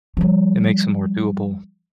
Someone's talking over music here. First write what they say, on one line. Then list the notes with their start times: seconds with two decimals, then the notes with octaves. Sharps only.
It makes it more doable.
0.17 F3 G3